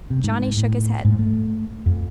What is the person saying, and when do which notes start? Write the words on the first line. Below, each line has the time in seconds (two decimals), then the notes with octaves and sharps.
Johnnie shook his head.
0.10 C3
0.24 G#2
0.57 A2
1.05 G#2
1.19 A3
1.86 F2